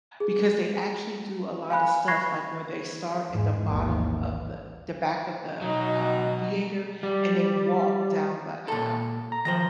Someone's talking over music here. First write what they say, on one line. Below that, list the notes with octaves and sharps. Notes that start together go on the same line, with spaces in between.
because they actually do a lot of stuff, like, where they start at the bottom of the the back of the, um, theater and they walk down the aisle
G#4
F5 G#5 B5 F#6
B5 C#6 F#6 G#6 A#6 C7
E2 G#2 G#3
A1 D#2
B2 F#3 D#4
G3
A#2 A4
A#5
D#3 F3 C5 A#6